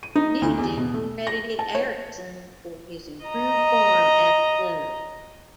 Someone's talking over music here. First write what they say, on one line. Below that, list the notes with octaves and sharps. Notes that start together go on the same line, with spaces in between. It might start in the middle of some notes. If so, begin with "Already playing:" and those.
Nugent credited Eriksson for his improved form at the club.
D#7
D#4
D2
E2
B2
A3
A#6
A5
C#5
D#5 A#5